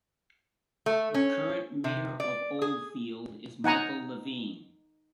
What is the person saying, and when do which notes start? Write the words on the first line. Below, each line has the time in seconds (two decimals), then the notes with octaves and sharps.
The current mayor of Old Field is Michael Levine.
0.86 A3
1.14 C#4
1.84 C3
2.20 D5
2.62 G#4
3.64 D#4 F#5 G#5 A#5